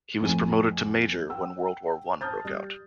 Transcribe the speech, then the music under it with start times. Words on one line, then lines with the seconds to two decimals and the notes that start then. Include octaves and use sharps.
He was promoted to Major when World War One broke out.
0.21 F2 A2 G#5 D#7
1.30 F#5 G5 E6
2.21 A5 D#6 F6 G6 A6
2.45 G3